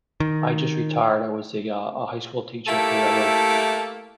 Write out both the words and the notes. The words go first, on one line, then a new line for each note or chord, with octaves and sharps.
I just retired, I was a, uh a high school teacher forever
D#3
A3 A#3 E4 G4 A4